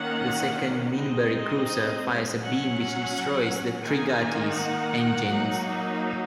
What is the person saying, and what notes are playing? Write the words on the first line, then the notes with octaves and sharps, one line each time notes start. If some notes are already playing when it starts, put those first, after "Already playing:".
The second Minbari cruiser fires a beam which destroys the "Trigati's" engines.
Already playing: D#3 A#3 C#4 F#5
G#3 C4 D#4 D#5
F#3 C#4 F#5
D#3 A#3 D#4 G#5
F#5
F#3 A#3 D#4